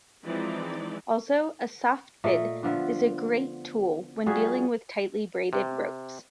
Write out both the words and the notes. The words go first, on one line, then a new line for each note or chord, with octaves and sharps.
Also a Softfid is a great tool when dealing with tightly braided ropes.
E3 F3 G#3 C4 D#4 D5
A#2 A3 D#5
D3 F3 B3
F3 G3 F#4 G#4
C3